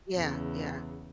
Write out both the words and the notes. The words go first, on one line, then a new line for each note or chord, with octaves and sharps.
Yeah, yeah.
E2 C#3